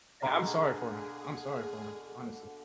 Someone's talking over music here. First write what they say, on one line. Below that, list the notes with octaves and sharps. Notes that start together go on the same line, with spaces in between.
Yeah, I'm sorry for him, I'm sorry for him, honestly,
B2 D3 A#3 G#4 D5 A#5 B5